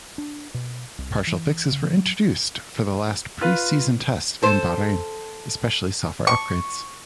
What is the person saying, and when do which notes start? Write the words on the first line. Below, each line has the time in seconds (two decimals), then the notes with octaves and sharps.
Partial fixes were introduced for the last pre-season tests in Bahrain, especially software upgrades.
0.18 D4
0.54 B2
0.98 C2
1.27 E3
1.72 C#3
1.97 F#3
3.41 F4 B4
4.43 A4 C5
6.27 C#6